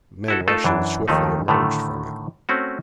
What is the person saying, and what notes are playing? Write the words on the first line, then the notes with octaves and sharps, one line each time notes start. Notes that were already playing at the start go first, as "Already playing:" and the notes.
Men rushing swiftly emerged from it.
E4 F#4 A4
A3 D#4 F4 A4 A#4
F#2 E3 D4
D#2 D#3 F3 A3 D#4
A2 D3 D#3 A3
A3 C4 C#4 F#4